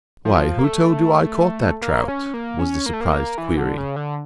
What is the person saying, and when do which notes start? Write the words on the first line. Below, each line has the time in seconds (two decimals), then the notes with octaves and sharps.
"Why, who told you I caught that trout!" was the surprised query.
0.25 F3
0.59 A#3
0.64 A3
1.82 A#3
2.08 C#4
2.34 A#3
2.59 C#4
2.86 A#3
2.93 A3
3.01 A#3
3.12 A#3
3.38 E3
3.57 D3
3.77 C#3
3.96 D3